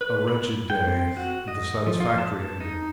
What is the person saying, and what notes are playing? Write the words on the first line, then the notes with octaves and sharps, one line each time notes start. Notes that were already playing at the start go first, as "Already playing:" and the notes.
A wretched day with satisfactory ending.
B4
B5
G5
C4
F#4
D#5
F3
F4
A5
D#4